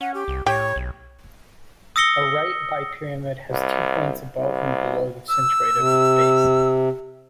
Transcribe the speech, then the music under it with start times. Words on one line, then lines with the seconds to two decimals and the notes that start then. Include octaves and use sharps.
A right bipyramid has two points above and below the centroid of its base.
0.01 C#4 F#5
0.14 G4
0.28 C2
0.46 A2 G4 C#5
0.76 B1
1.96 D#6 E6 A#6 C#7 G7
3.51 C2
4.38 C2
5.29 E6
5.76 C3